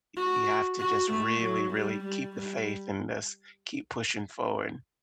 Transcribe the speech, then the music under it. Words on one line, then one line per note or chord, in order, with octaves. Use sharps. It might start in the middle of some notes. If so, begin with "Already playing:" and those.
you have to just really, really keep the faith in this, keep pushing forward,
F#4
F#4
A3
F#3
G3
G3
G3